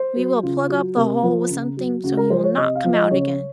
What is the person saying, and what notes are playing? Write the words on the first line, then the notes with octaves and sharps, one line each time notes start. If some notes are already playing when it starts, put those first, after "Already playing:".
"We will plug up the hole with something, so he will not come out again!"
Already playing: C5
F#3
C#3 F4
F#3
C3 A#4
F3
C#3
F#3
C#3 F#4
A#4
F3 C5
C#5
C3 D#5
F5
F3
D#5
C#3 C#5